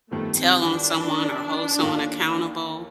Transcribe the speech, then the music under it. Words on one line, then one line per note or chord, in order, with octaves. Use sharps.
tell on someone or hold someone accountable,
G1 F2 D#3 G3 A3
C4
D4
D#2 D#3 A#3 F4 A4